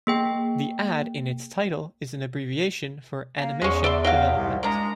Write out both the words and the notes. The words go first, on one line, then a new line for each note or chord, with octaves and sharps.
The "Ad" in its title is an abbreviation for "Animation Development".
A#3 G#4 G5
A#3
E2 G#3 C#4
D5 E5 C6
F#3 G4 F5
C2 G#2 C3
G#3 A#3 D4 A#5